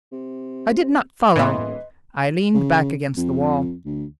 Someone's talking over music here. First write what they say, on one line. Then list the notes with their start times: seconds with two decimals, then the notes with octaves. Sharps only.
I did not follow, I leaned back against the wall.
0.12 C3
1.36 D#1 A2 E3 B3 B4 D#5 C6
2.54 C#3
3.17 F2
3.86 D2